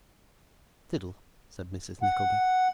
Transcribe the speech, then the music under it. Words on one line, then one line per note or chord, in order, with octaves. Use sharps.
'Fiddle,' said Mrs Nickleby.
F#5